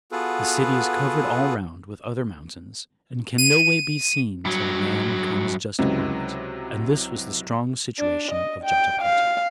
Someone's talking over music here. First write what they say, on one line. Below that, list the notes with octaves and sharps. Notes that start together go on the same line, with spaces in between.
The city is covered all round with other mountains, and can no way be seen till a man comes just upon it. And this was the strong situation of Jotapata.
B3 F4 F#4 G#4 A4 B4
D#7
G2 F#3
C#2 C3 F#3 E4
D4
D#5
G5
F5